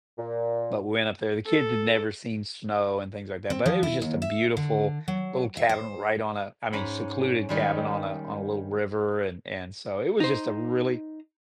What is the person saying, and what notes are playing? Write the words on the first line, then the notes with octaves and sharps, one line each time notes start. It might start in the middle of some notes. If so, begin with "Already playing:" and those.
But we went up there, the kids had never seen snow and things like that, but it was just a beautiful little cabin right on a I mean, secluded cabin on a on a little river, and and so it was just a really,
A#2
A4
C4
F3
E4
D#2
E5
D3
F#3
E5
C5
G#2 C#4 B5
D#3 G3 G#3
D#4 C5